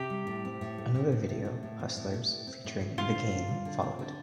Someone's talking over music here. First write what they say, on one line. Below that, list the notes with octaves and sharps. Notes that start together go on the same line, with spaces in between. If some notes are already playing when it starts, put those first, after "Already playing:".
Another video, Hustlers, featuring The Game, followed.
Already playing: C3 G4
G3
A2
C4
A2
A3
A2
C4
A2
A3
A2
C4
A2
A3
A2
C4
A2
A3
D3 F4
C4
D3
G3
D3
C4
D3